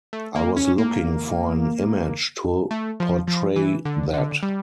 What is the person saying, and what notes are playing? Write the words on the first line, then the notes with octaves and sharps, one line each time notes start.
I was looking for an image to portray that.
A3
A#3
C#4
A#3
A3
F3
F3
E3
D3
D3
G3